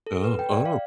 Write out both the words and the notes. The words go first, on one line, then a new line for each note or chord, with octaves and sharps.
Oh, oh.
A4
B4
G5
D5
F5